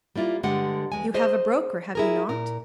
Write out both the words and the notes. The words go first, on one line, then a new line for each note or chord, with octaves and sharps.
"You have a broker, have you not?"
G3 A#3 E4 F4
G2 D3 G#3 G4 F#5
E2 G#3 G#5
G#4 C5 D#5
E4 G#4 A#4
A#2 A#4